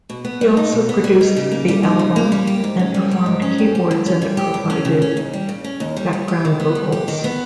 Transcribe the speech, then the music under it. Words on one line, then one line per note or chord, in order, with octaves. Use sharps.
He also produced the album and performed keyboards and provided background vocals.
B2
B3
G3
D#4
B2
B3
G3
D#4
C#3
A#3
G3
D#4
C#3
A#3
G3
G4
G#2
C#4
G3
G4
G#2
C#4
G3
G4
G2
C#4
G3
G4
G2
C#4
C#3
C#4
D#2
G3
C#3
C#4
D#2
G3
G3
G4
D#3
B3
G3
G4
D#3
B3